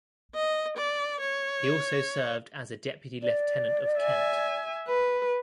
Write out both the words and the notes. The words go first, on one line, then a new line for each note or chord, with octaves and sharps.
He also served as a Deputy Lieutenant of Kent.
D#5
D5
C#5
D5
E5 G#5
B4